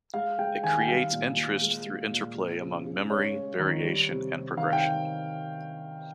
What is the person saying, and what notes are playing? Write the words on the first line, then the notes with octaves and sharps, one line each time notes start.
It creates interest through interplay among "memory, variation, and progression".
G#3 F5
G#3 G5
D#3 G#5
G5
G3 F5
A#2
A#2
G#3
G#3
A#2
F3
C#3
C#3
G#3 C#5
G#3
D#3
G3
C3
C3
D#3 F5
G5